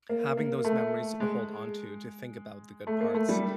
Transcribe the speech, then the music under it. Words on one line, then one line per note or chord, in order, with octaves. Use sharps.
having those memories to hold on to, to think about the good parts
A#3
A#3
A3
G#3
A3
A#3
A3
G3